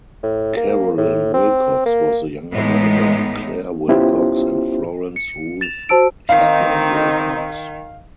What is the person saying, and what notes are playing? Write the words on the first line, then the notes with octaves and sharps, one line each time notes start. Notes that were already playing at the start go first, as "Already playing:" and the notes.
Carolyn Wilcox was the younger daughter of Clair Wilcox and Florence Ruth Chapman Wilcox.
A2
A#3
A2
C4
A#3
A2 E3 G#3 B3 D#4
B3 C#4 E4 F4 G4 C5
C#7
A6 E7 F7
F#4 C5 A5 E6 D7
D#3 C4 D#4 F5